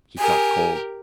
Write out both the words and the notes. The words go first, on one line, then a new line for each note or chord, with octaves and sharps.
He felt cold.
G4 A#4 G#5